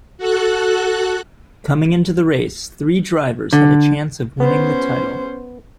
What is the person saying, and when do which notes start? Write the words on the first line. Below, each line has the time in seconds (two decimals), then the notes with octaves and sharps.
Coming into the race, three drivers had a chance of winning the title.
0.18 F#4 A4 F#6
3.53 D3
4.40 B3 C#4 C5